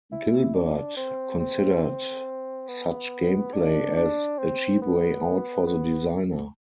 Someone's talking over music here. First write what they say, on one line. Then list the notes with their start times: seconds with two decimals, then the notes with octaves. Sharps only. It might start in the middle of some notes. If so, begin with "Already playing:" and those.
Gilbert considered such gameplay as "a cheap way out for the designer".
0.12 E4
0.54 D4
0.97 C4
1.40 C4
1.83 C4
2.68 B3
3.53 D4
3.97 D4
4.39 C4
4.82 B3
5.67 B3